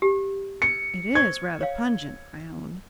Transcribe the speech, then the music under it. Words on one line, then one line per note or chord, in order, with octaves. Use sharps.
"It is rather pungent," I owned.
G4
C#7
C5 C#6 G#6
C#5 F5